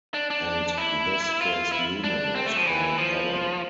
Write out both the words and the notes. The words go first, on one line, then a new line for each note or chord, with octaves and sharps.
And this first human was called Adam.
D4
D4
E4
F4
E4
D4
C4
A3
F3
E3
F3